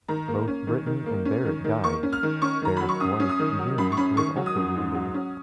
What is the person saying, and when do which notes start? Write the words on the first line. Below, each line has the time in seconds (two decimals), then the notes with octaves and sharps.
Both Britton and Barrett died; Barrett's wife, June, was also wounded.
0.08 D#3 A#5
0.28 A#3
0.48 C#4
0.67 D#3
0.86 D#3
1.06 A#3
1.25 C#4
1.45 D#3
1.64 D#3
1.84 A#3 C#6
2.03 C#4
2.13 F6
2.23 D#3
2.42 C#4 C#6
2.61 D#3 A#5
2.77 F#3 B5
2.89 C#6
3.00 F#2 D#6
3.20 C#4
3.29 D#6
3.39 D#3
3.59 F#3
3.78 F#2 B5
3.92 C#6
3.97 C#4 B5
4.17 D#3 C#6
4.36 F#3
4.46 D#6
4.56 F#2
4.75 G#2
4.94 F#3
5.14 C#4